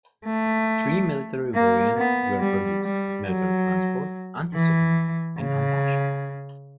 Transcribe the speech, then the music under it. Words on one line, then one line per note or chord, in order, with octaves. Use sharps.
Three military variants were produced: military transport, anti-submarine and anti-ship.
A3
A#3
B3
G3
G3
F#3
E3
C#3